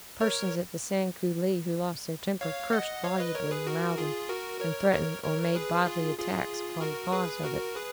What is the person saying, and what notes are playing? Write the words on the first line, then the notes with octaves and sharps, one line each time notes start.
Persons at the Sand Coulee who lost their temper cursed volubly and loudly, and threatened or made bodily attacks upon the cause of it.
A#4 C#5
C#5 F5
D#5 F#5
C#5 F5
B4 D#5
A#4 C#5
G#4 B4
F#4 A#4
F4 G#4
F#4 A#4
A#4 C#5
A#4 C#5
A#4 C#5
C#5
G#4 B4
F4 G#4
F4 G#4
F#4 A#4
G#4 B4
F#4 A#4
G#4 B4